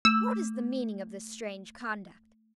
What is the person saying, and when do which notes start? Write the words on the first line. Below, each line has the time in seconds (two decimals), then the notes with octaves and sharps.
What is the meaning of this strange conduct?
0.05 A3 E6